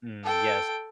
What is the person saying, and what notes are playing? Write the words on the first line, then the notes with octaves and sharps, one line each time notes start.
Mm, yes.
A4 G5